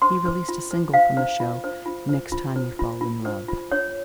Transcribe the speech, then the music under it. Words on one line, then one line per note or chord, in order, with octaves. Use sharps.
He released a single from the show, "Next Time You Fall in Love".
C5 C6
C5
F4
C5
C5 F5
C5
F4
C5
F4
C5
F4
C5
F4
F4
C5
F4
C#5